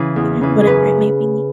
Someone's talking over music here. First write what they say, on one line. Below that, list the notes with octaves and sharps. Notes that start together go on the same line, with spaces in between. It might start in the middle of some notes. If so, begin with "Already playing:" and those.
you know, whatever it may be.
Already playing: C#3 E3
E2
C#3 E3
G#4
F#2 B4